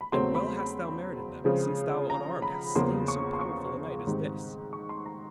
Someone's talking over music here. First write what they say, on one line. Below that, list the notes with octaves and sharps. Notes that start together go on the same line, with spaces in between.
And well hast thou merited them, since thou unarmed hast slain so powerful a knight as this.'
B5
E2 C#3 F#3 A3 C4 C6
B5
C#3 F3 G#3 C4
A#5
B5
E2 C#3 F3 A#3 C6
C#6
C6
C#6
G#2 D#3 G3 C4
C#6
C6
A#5